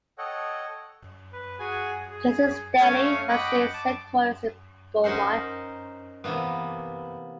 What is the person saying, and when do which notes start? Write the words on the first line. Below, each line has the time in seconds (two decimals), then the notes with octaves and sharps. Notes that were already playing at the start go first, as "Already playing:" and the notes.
Jason's Deli has its headquarters in Beaumont.
0.18 A4 C#5 D#5 F#5 G5
1.33 B4
1.59 F#4 G#4 G#5
2.11 G#4
2.81 A3 C#4 C#5 F5 G#5
3.29 D#5 F#5 G5 B5 C#6 D6
3.73 A5 D6
5.04 C#4 D#4 A#4 C5 F#5
6.24 C3 E3 A#3 B3